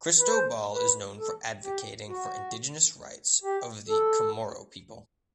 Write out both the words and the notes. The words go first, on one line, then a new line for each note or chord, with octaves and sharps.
Cristobal is known for advocating for indigenous rights of the Chamorro people.
B4
C5
B4
A4
G4
F#4
G4
A4